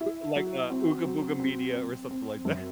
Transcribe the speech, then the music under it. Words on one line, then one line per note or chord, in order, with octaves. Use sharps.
Like, uh, Ooga Booga Media or something like that.
E4
F#3
C4
F#3
C4
C4
C4
F#2